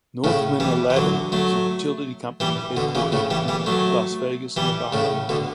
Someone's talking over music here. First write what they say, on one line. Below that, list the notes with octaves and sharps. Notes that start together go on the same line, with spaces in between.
Northwind Aladdin is a utility company headquartered in Las Vegas, Nevada.
A2 C#3
E3 G3
E3
D3 F#3
F#3 A3
E3 G3
B2 D3
C#3 E3
A2 C#3
E3 G3
E3 G3
F#3 A3
E3 G3
A2 C#3
B2 D3